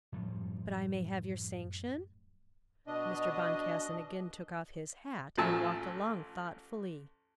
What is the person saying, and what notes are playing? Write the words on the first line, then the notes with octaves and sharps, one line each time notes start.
"But I may have your sanction?" Mr. Boncassen again took off his hat and walked along thoughtfully.
F#2 A2 F3 G3
B2 D4 D#5
A1 F3 A3 G#5 A5 E6